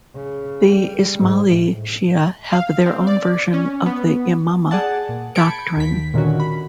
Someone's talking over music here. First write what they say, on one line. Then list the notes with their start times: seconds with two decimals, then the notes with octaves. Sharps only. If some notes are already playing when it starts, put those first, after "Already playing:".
The Ismaili Shia have their own version of the Imamah doctrine.
0.15 C#3
0.68 G3
1.17 G#2
1.50 A2
2.52 F5
2.86 C4
3.07 D5
3.54 C#4
3.86 B3
4.71 G#4 D5 F#5 A5
5.09 A#2
5.35 A5 B5 G6 G#6 C#7 D7
5.77 D#2 B6
6.14 A#2 D3 D#3 A#3 C#4 F#4
6.40 B5